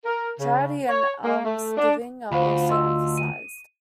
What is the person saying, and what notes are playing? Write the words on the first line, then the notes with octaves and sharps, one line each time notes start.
Charity and almsgiving are also emphasized.
A#4
C#3
C#5
A#3
A3
D4
D2 F4 C5 F5 B5
D#5 C6 E6
D#7